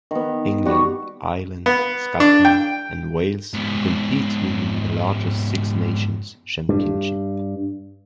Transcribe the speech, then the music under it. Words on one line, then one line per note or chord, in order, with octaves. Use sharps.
England, Ireland, Scotland, and Wales who compete within the larger Six Nations Championship.
D#3 B3
G3 F#4 C#6 D6
B3
D4
G5
G#2 B3
G2